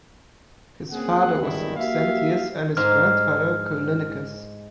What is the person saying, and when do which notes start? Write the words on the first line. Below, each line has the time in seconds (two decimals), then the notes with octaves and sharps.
His father was Auxentius and his grandfather Callinicus.
0.91 A#3 C4 C#4 G#4 F#5
1.41 G#1 E2 G2 D#3 E4
1.76 A#3 F#4 G4 E5 F5
2.77 G#2 F6